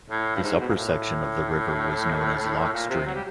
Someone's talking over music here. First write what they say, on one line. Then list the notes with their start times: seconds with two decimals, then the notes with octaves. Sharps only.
This upper section of the river was known as Lock Stream.
0.10 A2
0.36 G2
0.43 G#2
0.59 B2
0.68 A#2
0.75 A2
2.73 A#2
2.90 C3
3.06 F#3
3.15 G3